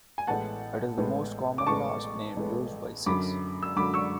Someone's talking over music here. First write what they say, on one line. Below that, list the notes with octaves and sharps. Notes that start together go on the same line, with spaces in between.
It is the most common last name used by Sikhs.
G#5
A1 A2 G#3 B3 F#5 A5
A1 A2 G#3 B3
D6
A1 A2 G#3 B3 A5 C#6
A1 A2 G#3 B3
F#2 D3 F#3 B5 D6
E6
F#2 D3 F#3 B5 D6
C#6 E6